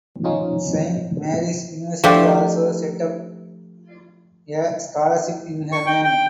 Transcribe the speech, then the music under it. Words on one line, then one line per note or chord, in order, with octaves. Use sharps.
Saint Mary's University also set up a scholarship in her name.
F3 C#4 D#4 F4
F3 A3 D4 G4
C#6
G5
G5